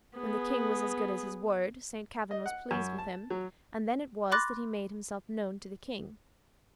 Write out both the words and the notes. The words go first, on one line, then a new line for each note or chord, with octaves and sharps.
When the king was as good as his word, Saint Kavin was pleased with him, and then it was that he made himself known to the king.
B3 G#4
D#5
F#5
F#2
A5
F#3
B5 C6 D6 F#6 A6 A#6